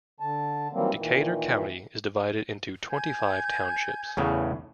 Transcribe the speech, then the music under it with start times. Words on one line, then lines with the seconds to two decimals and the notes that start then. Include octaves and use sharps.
Decatur County is divided into twenty-five townships.
0.20 D3 A5
0.73 D#3 E3 F#3 G3 A#3 C4
0.95 A#2 D#3 E3
2.89 G#5 G6 G#6
4.17 E2 A2 C#3